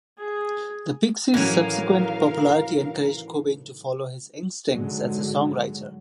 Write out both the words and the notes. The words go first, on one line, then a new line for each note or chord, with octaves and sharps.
The Pixies' subsequent popularity encouraged Cobain to follow his instincts as a songwriter.
G#4
A2 D#3 E3 F#3 C#4 A#4 F5
G#2 D3 F#3 G#3